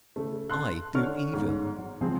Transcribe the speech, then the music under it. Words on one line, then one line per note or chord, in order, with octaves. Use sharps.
I, do evil!
C#3 A3
A5 C6 F#6
D3 C#4 C#6 F6
G1 G#2
F#3
C#2 F3 C4 G#4